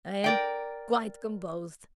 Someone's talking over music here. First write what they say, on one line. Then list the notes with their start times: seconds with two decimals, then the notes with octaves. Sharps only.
"I am--quite composed."
0.24 A#4 D5 G5